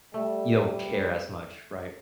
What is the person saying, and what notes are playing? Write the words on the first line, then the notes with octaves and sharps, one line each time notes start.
you don't care as much, right?
G3 A3